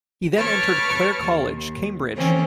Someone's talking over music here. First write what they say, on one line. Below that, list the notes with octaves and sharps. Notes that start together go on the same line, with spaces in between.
He then entered Clare College, Cambridge.
B4 C#5 A5 C#6 D6 F6
D#2
D3 E3 F3 A#3 C4 C#4